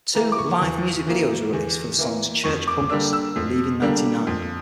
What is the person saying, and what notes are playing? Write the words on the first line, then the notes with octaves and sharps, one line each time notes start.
Two live music videos were released for the songs "Church Punks" and "Leaving Ninety-Nine".
E3 A#3 A#5
D6
C#6
E2
E3 A#3
E2
E3 A#3
F2 C#6
D6
D3 G3 A#3 D4 E6
E6
F2
D3 G3 A#3 D4
F2